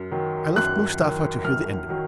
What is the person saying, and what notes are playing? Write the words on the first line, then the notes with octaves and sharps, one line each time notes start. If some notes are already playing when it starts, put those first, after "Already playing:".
I left Mustapha to hear the end of it.
Already playing: F#2
D#3 F#3
F#2 F#6
D#3 F#3
F#2 F6
D#3 F#3